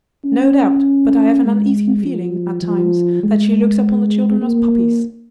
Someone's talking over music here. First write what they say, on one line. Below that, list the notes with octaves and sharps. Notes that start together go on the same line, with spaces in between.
"No doubt, but I have an uneasy feeling at times that she looks upon the children as puppies."
C#4
G#3
F3
F3
G#3
A#3